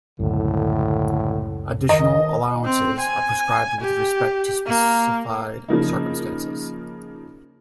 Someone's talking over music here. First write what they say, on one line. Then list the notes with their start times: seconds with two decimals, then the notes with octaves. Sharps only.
Additional allowances are prescribed with respect to specified circumstances.
0.20 C#2 F#2 A2 D3
1.89 D#3 D#5
2.65 C4
3.00 G#5
3.81 G4
4.66 A#3
5.68 C#3 F3 A#3 D#4